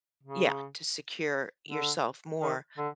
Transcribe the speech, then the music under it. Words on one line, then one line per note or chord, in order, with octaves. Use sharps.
yeah, to secure yourself more,
C#3
D3
D#3
D3